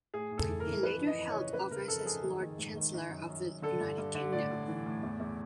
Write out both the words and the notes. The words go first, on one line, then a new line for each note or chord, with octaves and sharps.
He later held office as Lord Chancellor of the United Kingdom.
A2 G#4
A2
A4
E3
A#4
E3
F2 B4
E3
D#5
F2
C#5
C#3
C#3 B4
C#3 A#4
F2 A4
F2 G#4
D#3
D#3
G#2
D#3
D#3
F#2
F#2
F#2
D3 A4
G2
G2
D3
A2 D5
A2
E3
A2
E2
E2